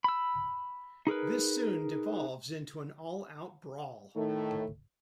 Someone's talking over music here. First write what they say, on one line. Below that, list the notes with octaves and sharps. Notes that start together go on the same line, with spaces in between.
This soon devolves into an all-out brawl.
B5 E6
D#4 G#4 A#4 B4
A2 D#3 A3